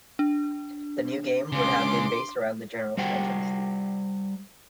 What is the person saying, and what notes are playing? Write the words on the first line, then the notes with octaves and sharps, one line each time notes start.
The new game would have been based around the "Generals" franchise.
D4
C#2 C#3 C6 D6
G3 C5 F#5 G5